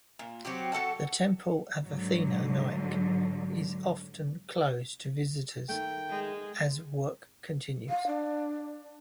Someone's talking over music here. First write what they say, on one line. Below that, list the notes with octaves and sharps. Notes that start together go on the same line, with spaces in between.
The Temple of Athena Nike is often closed to visitors as work continues.
A#2
F#3 C4 F#4 G4
F#4 A4 F#5 A5
G#2 D3 F#3
D#3 A3 G5
G#3
F5
D4